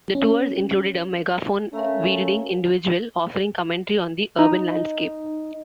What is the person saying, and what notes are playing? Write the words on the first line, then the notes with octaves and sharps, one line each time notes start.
The tours included a megaphone-wielding individual offering commentary on the urban landscape.
C#4
A3 C#4 A#4 F5 A#5
D#4